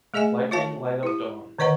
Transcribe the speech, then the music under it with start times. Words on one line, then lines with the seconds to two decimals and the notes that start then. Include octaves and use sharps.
Lightning light up dawn.
0.14 A3 G#4 D#5 E5 G#5
0.51 F4 F#4 C#5 E5 F5 A5
1.03 E4 G4
1.59 D3 D#3 C#5 D#5 F#5 A#5